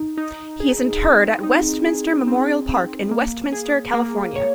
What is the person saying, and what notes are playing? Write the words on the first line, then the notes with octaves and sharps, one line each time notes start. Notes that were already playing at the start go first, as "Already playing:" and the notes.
He is interred at Westminster Memorial Park in Westminster, California.
Already playing: D#4
D#4
G#4
C4
D#4
G#4
C4
C4
A#3
G#4
A#3
C#5